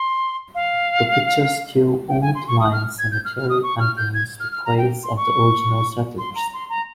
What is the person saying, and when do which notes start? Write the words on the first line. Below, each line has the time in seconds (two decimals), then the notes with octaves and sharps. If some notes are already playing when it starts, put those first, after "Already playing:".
The picturesque Old Lyme Cemetery contains the graves of the original settlers.
Already playing: C6
0.55 F5
2.09 G5
2.22 G#5
2.35 C6
2.48 C#6
2.60 D#6
2.73 F6
2.99 G#6
3.12 G6
3.25 F6
3.37 F6
3.50 D#6
3.63 C#6
3.80 F6
3.97 G6
4.14 G#6
4.40 F6
4.52 F6
4.65 A#5
4.78 G5
5.04 C6
5.17 C#6
6.18 C6
6.35 A#5
6.54 C6
6.70 A#5